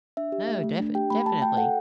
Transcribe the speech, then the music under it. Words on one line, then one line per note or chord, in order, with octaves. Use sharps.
No, def definitely.
D4 E5
G4
A3
A3
D4
G4 G5
A3 B5
A3 A5
F#4 G5
A4 F#5